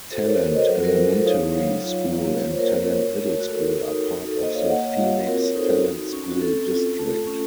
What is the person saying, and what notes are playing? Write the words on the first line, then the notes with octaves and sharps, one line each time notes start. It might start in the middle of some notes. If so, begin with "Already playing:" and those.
Talent Elementary School and Talent Middle School are part of the Phoenix-Talent School District.
F#4 A4 C5
A#4 C#5
F#4 A#4 C#5
C5 D#5
F#3 A4 C5
F#4 A#4
F4 A4
A4 C5
D#4 C#5 F5
F#3
F4
A#3
F4 C#5
C5
A#4 C#5
A#3
F#4
A3
F#4
A4
D#4 F#4 A#4
D#4
F#4
A4
A#3 C5 D#5
C#5 F5
A#3 D#5 F#5
C#5 F5
F4 C#5 F5
C#5 F5
C4 F#4 A#4
A#4 C#5
D#4 A4 C5
A4
F#4
C#4
F#4
C4 A4
F4
A3
C#4